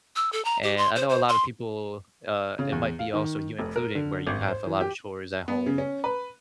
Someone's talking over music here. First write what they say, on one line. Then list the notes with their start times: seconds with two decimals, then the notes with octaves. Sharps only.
And I know a lot of people, uh, it might be also you including, where you have a lot of chores at home,
0.16 E6
0.32 A4
0.45 A#5
0.63 G4
0.77 C6
0.96 C5
1.09 C5
1.29 C6
2.59 C#3
2.72 E2
2.99 F5
3.14 D#3
3.59 F1
3.76 A#4
3.95 D3
4.27 G#1
4.48 C5
4.66 E3
4.80 G4
5.48 B3
5.66 C#3
5.78 C#4
6.04 B4